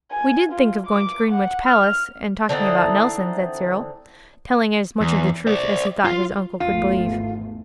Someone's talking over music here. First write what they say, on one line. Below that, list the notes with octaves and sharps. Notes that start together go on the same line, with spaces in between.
'We DID think of going to Greenwich Palace and talking about Nelson,' said Cyril, telling as much of the truth as he thought his uncle could believe.
G#5
F4
D6
F#5
F6
D3 E3 C4 D#4
E2
C5 D5
F4
G#1 E2 A3 F4